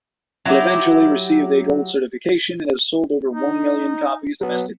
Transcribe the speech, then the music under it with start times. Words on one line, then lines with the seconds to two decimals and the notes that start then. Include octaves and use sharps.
It eventually received a gold certification, and has sold over one million copies domestically.
0.46 F#3 E4 F4 G4
3.34 D#4
4.41 F#3 B3